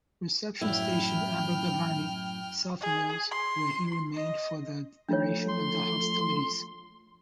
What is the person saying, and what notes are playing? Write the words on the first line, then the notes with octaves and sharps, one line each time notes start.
Reception Station, Abergavenny, South Wales where he remained for the duration of the hostilities.
F#2 A2 E4 G5 F6
G#4
C6
D#5
F3 A3 D4 F4 C#5
C6